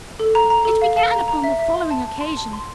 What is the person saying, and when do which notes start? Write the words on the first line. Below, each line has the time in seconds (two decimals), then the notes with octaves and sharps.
It began upon the following occasion.
0.20 A4
0.35 A#5
0.50 A#5
0.65 A4
0.82 F5
0.96 F5
1.12 A#5
1.28 A#5
1.44 E5
1.59 E5
1.74 C6
1.91 A5
2.06 A5
2.21 C6
2.37 A5
2.53 C6